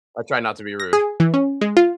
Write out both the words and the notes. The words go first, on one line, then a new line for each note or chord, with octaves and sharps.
I try not to be rude.
A#6
G#4
E3
C#4
G#3
F4